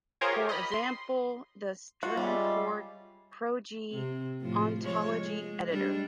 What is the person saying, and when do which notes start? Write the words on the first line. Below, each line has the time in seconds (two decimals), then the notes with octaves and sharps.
For example, the Stanford Protege Ontology Editor.
0.21 F4 G#4 A#4 C5 C#5
0.33 G4
0.49 D#5 B5
0.71 C6
2.03 F4 F#4
2.17 G3 G#3 C#4 E5
3.93 C3
4.41 A2 F3
4.81 F3 G#3 C#5
5.23 G#3
5.69 G3 G#3 D4